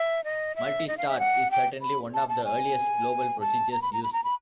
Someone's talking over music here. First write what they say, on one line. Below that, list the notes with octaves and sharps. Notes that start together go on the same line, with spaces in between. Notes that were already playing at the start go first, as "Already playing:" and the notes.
Multistart is certainly one of the earliest global procedures used.
Already playing: E5
D#5
E5
D#5
F5
E5
F#5
G5
B5
A5
A5
G#5
A5
A#5
B5
A#5
B5
A#5
B5